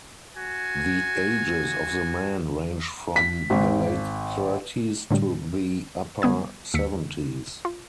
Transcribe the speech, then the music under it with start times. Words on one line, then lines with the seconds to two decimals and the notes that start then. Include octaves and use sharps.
The ages of the men range from the late-thirties to the upper seventies.
0.37 F#4 G#5
3.16 B6
3.50 G#1
5.11 A2 D3 F#3 G3
6.22 D3 G3 B3 D#6 G#6
6.74 D#2 E6 B6 C#7
7.65 F4